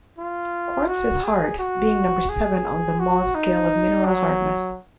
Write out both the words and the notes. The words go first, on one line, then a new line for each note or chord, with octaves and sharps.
Quartz is hard, being number seven on the Mohs scale of mineral hardness.
F4
F#4
G#4
F#4
G#4
F#4
D#4
F#3